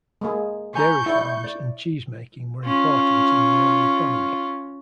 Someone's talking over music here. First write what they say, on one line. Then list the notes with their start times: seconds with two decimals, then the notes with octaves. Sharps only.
Dairy farms and cheesemaking were important in the early economy.
0.21 G#3 A#3 G#4
0.74 B4 G#5 A#5 C#6 G6
1.06 E4 D5 G5
1.44 D5
2.65 C#4 F4